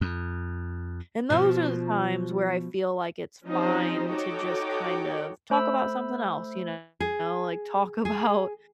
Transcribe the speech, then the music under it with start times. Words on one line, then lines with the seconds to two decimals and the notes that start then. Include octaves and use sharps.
and those are the times where I feel like it's fine to just kind of talk about something else, you know. Like, talk about
0.01 F2
1.30 B2 F3
3.46 F3 C4 C#4 D#4 G4 C5
4.10 D#4 F#4 A4 C#5 G5 D6
5.50 A3 C5 B5 E6
7.00 G#4
8.05 G#4